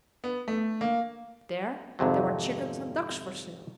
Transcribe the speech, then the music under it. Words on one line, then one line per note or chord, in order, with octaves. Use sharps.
There, there were chickens and ducks for sale.
B3
A3
A#3
G#1 F2 C3 F#3